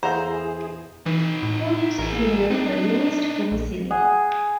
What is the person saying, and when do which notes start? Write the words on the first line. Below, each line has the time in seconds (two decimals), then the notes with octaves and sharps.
Two music videos were released for Missile.
0.03 E2 E4 G#4 A4 C5 F5 F#5 A#5
1.06 E3 D#4 B4
1.43 A2
1.98 A1 G#4 A#4
2.50 C4 D4 D#4
3.51 A#1
3.91 G#4 F#5